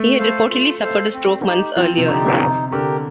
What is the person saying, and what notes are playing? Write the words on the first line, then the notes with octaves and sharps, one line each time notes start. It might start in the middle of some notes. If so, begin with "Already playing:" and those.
He had reportedly suffered a stroke months earlier.
Already playing: A3
A4 C5 F5
F4
A4 C5 F5
C4
D#4 G4
F3 C4
C3
D3 D#4 G4
C3 D#4
D3 G4 A#4